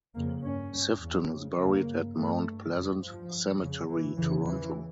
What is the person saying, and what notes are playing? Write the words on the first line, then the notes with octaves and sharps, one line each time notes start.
Sifton is buried at Mount Pleasant Cemetery, Toronto.
F2 C#3 A#3
G2 C#4
G2
E2 C#3
F2 C#3
E2 C#3 A#3
G2
G2 A3
G2
F2 C#3
G2 F3
G2
F2 C#3
G2 E3
F2 C#3 E3
E2 C#3 E3